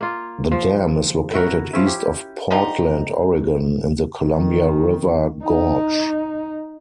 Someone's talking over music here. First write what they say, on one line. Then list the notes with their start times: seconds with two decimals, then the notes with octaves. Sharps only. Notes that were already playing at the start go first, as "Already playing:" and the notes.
The dam is located east of Portland, Oregon, in the Columbia River Gorge.
0.01 A#3 F4
0.52 F3
1.33 E4 F#4 A#4
1.73 F3 C#4 E4
1.87 G4
2.50 D3 F3 G3 D#4
4.24 D#3
5.45 D#4